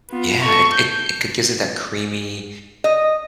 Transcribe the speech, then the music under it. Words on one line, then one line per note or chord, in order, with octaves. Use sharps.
Yeah, it it it it gives it that creamy,
B3 F4
A4 C#6
G6
D#5